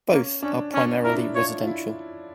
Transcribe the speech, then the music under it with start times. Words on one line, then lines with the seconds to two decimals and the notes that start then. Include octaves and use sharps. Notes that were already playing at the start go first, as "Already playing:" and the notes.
Both are primarily residential.
0.12 A#3 C#4
0.42 C#4 D4
0.74 C#4 D4
1.05 E4 A#4
1.13 D4
1.21 E4
1.35 F4 C#5
1.60 F4
1.67 E4